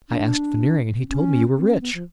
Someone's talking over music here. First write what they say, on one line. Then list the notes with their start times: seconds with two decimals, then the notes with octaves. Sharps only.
'I asked Veneering, and he told me you were rich.'
0.10 D4
0.99 C4
1.08 C#4
1.57 C4
1.69 C#4
1.81 B3
1.94 F3